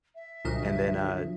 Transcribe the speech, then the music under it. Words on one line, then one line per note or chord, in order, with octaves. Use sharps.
and then, uh,
E5
C2 A#2 D3 F3 F#3 D#5